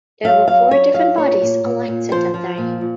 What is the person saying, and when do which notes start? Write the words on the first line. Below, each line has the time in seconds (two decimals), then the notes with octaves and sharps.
There were four different bodies elected that day.
0.24 F#3 F5
0.48 F#3 F5
0.71 F#3 C#5
0.94 F#3 F5
1.17 A#2 C#5
1.42 A#2
1.64 A#2
1.88 A#2
2.11 F3 C5
2.34 F3
2.58 A#2
2.81 A#2